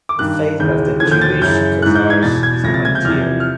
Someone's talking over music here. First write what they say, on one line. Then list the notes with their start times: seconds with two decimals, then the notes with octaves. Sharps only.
The fate of the Jewish Khazars is unclear.
0.09 D6
0.19 G2 D#3 F#6
0.60 D#2 C#3 E3 G6
1.00 D#2 D3 F3 G#6
1.12 G6
1.21 A6
1.42 F#2 C#3 E3 G6
1.82 G#2 E3 F#6
1.95 G6
2.10 G#6
2.23 E2 B2 A6
2.43 G#6
2.64 C#2 C3 F3 A#6
2.74 A6
2.85 G#6
2.95 G6
3.04 E2 C3 F3 F6
3.40 F6